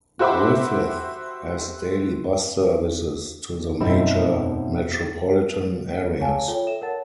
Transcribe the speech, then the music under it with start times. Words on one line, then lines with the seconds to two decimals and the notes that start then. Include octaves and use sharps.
Griffith has daily bus services to the major metropolitan areas.
0.19 F#4 G4 C5 E5 B5 D6
3.80 F#2 B2 A3 C4 D#4 E4
6.20 G#4 C#5 F5 G#5 A5
6.48 F4 A4 C#5 G5 G7
6.67 A4 E5 E7
6.81 A#4 C#5 F#5 A5 A6